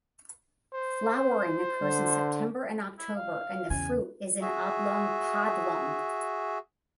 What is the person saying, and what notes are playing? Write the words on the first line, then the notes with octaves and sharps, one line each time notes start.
Flowering occurs in September and October and the fruit is an oblong pod long.
C5
D3
E4
F5
E2 C#3 G#5
F#4 G#4 E5